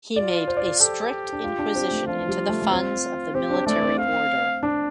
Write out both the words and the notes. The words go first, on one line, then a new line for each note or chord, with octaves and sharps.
He made a strict inquisition into the funds of the military order.
F4 D5
C5
D5
C5
G4 A4
D4
F4
D4
C4
A3
F3 F4
G3
A3
A3
C4
C4 G4
D4
A3 D5
C4
F5
D4